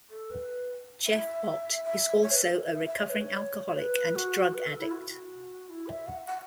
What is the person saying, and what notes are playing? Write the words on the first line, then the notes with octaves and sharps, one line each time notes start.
Jeff Ott is also a recovering alcoholic and drug addict.
A4
B4
E5
E5
C#5
B4
A4
C#5
B4
E5
E5
C#5
B4
C#5
B4
F#4
B4
A4
E4
F#4
E4
E5
F#5
F#5